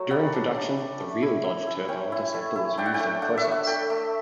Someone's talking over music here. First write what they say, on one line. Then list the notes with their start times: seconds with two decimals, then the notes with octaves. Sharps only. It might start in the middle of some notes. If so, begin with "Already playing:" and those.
During production, the real Dodge Turbo Interceptor was used in close-ups.
Already playing: F#3 A3
0.11 G3 F#5
0.34 D4
0.56 G3
0.79 D4
1.00 A3
1.22 E4
1.44 E4
1.67 E4
1.89 C#4 G5
2.12 E4
2.34 A3
2.56 E4
2.78 D4 G5
2.86 F#5
2.94 G5
3.00 A3
3.22 D4 F#5
3.37 E5
3.44 A3
3.52 F#5
3.67 A3 G5
3.90 A3